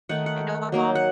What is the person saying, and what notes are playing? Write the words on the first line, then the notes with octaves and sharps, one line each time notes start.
know my mom,
D#3 A3 D#4 F#5
F#5
F#3 A#3 D#4
F#5